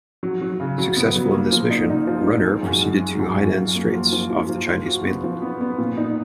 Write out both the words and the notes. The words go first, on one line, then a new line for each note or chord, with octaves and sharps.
Successful in this mission, "Runner" proceeded to Hainan Straits, off the Chinese mainland.
F#3
F#3
C#3
F#3
B3
F#3
A#3
F3
D#4
D#4
F3
D#4
G#3
F#2
G#3
G#3
F#2
F#2
F4
A#3
F3
F3
F3
F3
F3
F#4
B3
F3
B3
B3
A#2
D#4